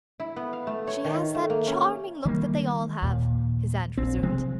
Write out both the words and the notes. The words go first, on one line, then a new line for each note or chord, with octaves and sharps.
"She has that charming look that they all have," his aunt resumed.
E4
B3
F5
A3
C#5
D#3
A3
A#3
C#4
D#3 G3 A#3
D#2 A#2
A#1 C4
C3 F3 G#3 C4